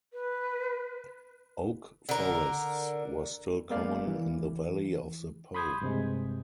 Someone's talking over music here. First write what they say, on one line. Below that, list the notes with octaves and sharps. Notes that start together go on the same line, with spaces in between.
Oak forests were still common in the valley of the Po.
B4
D3 A#4
G#3 A#3 B3 D5 F5
E3
B5 C6 D#6 G6 G#6
G2 C3 G#3